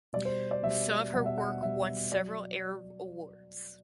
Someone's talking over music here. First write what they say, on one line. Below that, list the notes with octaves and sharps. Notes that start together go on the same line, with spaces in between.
Some of her work won several Arab awards.
B2 G3 D5
C5
D5
B2 G3 E5
B2 G3 F#5
E5
F#5
B2 G3 E5
F#3 D5